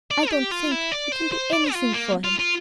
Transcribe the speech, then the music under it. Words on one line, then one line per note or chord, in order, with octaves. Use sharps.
"I don't think--we can do anything for him."
D5
G4
F4
E4
D5
C5
C5
D5
F4
A#3
F4
F4